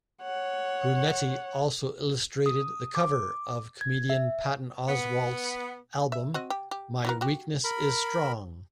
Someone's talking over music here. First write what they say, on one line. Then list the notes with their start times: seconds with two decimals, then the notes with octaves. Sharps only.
Brunetti also illustrated the cover of comedian Patton Oswalt's album, "My Weakness Is Strong".
0.22 C#5 F#5
2.46 D#6
2.95 D6
3.81 G#6
4.10 E5
4.87 B3
6.12 E5
6.34 C4 F#4 D#5
6.50 G4
6.71 G4
7.05 E3 B3 A#4
7.21 F#4 G4
7.64 A#4 B5